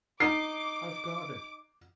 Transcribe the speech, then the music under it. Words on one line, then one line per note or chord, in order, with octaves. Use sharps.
I've got it!'
D#4 D6 C7